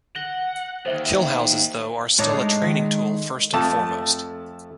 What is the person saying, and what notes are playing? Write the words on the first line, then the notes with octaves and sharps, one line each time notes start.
Kill houses though are still a training tool first and foremost.
F#5 A#6 G7
D#2 C5 E5 G7
A2 A3 D4 D#4 C#5
G#3 G#4
D#3
F2 A3 A5